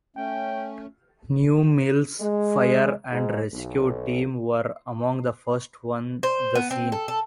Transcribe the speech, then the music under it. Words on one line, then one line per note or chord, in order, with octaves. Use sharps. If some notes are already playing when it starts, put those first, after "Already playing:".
New Mills Fire and Rescue Team were among the first on the scene.
A3 C#4 G5
G#3
G#2
B1
C5
B3
C4
A4
A4